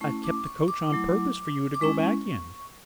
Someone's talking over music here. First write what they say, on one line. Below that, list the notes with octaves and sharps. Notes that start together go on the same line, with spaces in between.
I've kept the coach on purpose for you to go back in.'
A3 C#4 E4 C#6
D6
C#6
D6
F#3 A3 E4
D6
G#3 C#4 E4 C#6